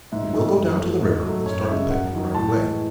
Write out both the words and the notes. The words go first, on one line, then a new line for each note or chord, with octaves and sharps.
But we'll go down to the river and start the picnic right away.
G#2 E5
D#3 A3
F#2
E3 A3
G#2
F#3 A3
F#2 C#5
C#3 G#3 E5
F#2 F#5
D#3 F#3
A2 A5
E3 G#3